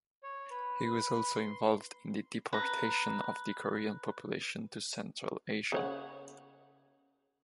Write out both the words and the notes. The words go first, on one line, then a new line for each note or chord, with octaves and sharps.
He was also involved in the deportation of the Korean population to Central Asia.
C#5
B4
B4
C6
B4 A#5
C#3 C#5 F#5